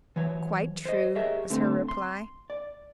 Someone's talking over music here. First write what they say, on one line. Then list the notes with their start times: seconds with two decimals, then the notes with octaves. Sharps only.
"Quite true," was her reply.
0.16 E3 F#3 C#5
0.85 C5 D#5
1.15 G4 G#4 A#4 C#5 D#5 E5
1.50 D3 A3 C4
1.88 C6
2.50 D5